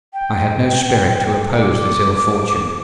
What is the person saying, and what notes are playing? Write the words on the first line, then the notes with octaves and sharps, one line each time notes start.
I had no spirit to oppose this ill fortune.
G5
D6